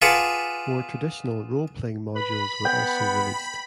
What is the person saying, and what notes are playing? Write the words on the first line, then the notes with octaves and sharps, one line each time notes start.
More traditional role-playing modules were also released.
F4 G#4 B4 D5 F#5 A5
B4 B5
B3 G5